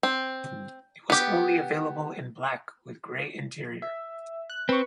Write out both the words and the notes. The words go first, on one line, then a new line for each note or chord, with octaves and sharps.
It was only available in black with gray interior.
C4
B3 G4
E5
F#6
C4 B4 C#6